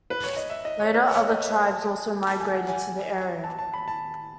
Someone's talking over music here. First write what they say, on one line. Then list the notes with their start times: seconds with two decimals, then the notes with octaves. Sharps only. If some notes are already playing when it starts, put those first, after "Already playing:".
Later, other tribes also migrated to the area.
0.10 B4
0.24 C#5
0.37 D#5
0.50 E5
0.65 D#5
0.80 C#5
0.94 B4
1.09 C#5
1.28 D#5
1.48 E5
1.67 A5
1.97 G#5
2.26 A5
2.40 G#5
2.54 F#5
2.68 G#5
3.44 A5
3.59 A5
3.74 B5
3.88 A5